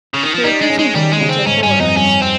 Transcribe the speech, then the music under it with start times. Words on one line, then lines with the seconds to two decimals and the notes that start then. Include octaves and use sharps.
Characters and viewpoints are polarized.
0.14 C#3
0.23 D#3
0.34 F3
0.44 G3 D#4
0.61 G#3
0.70 C#4
0.79 G#3
0.95 D#3 G3
1.13 G#3
1.21 C#3
1.29 C4
1.46 G#2 C#4
1.63 G2 C#4
1.79 F2 D#4
1.97 G2 C#4
2.22 C4